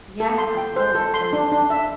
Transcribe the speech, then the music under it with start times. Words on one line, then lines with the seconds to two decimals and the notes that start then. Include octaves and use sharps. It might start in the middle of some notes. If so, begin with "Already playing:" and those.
Yeah, of course. I mean,
0.20 A4
0.38 C6
0.57 G5
0.76 C5
0.95 A4
1.14 C6
1.33 D4
1.52 D4
1.70 E5